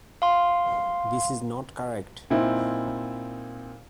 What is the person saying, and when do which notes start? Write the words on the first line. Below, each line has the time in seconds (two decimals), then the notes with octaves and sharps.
This is not correct.
0.22 F5 C6
2.30 A#2 C4 D#4 E4